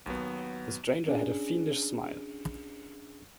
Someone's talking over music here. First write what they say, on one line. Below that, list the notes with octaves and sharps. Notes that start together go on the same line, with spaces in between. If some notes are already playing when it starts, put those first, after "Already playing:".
The stranger had a fiendish smile.
D#2 F#3 B3
C#4 D4 G#4